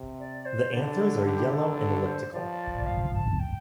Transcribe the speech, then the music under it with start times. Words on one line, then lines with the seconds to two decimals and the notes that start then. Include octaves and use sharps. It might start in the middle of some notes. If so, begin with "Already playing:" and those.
The anthers are yellow and elliptical.
Already playing: C3
0.20 D5
0.46 C5
0.73 D3 D5
0.99 A4
1.26 D3 G4
1.53 A4
1.79 A4
2.06 C5
2.33 F3 D5
2.86 F5
3.14 A5
3.39 G5